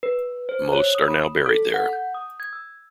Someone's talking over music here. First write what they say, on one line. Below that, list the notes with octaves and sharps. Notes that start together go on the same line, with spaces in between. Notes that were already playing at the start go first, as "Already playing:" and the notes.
Most are now buried there.
B4
C5
C#5
D#6
B5
A4
F#5
G6
D#6
G#6
E6